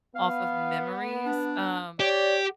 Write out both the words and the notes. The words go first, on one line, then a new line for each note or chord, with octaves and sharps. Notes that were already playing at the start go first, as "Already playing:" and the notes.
off of memories, um,
B3 F5
D4
G4 C#5 D5